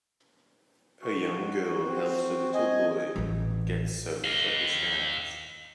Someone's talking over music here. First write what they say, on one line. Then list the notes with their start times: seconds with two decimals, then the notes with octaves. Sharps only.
A young girl helps a little boy get soap for his hands.
1.02 F#4
1.87 C4
2.54 D#5 G#5
3.16 A1 E3
4.24 D#5 F5